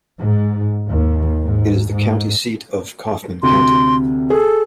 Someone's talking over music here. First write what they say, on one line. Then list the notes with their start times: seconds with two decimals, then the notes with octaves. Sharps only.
It is the county seat of Kaufman County.
0.18 G#2
0.89 D#2
1.43 G#2
1.90 G#2
3.43 D2 C3 C6
4.30 G#4 A4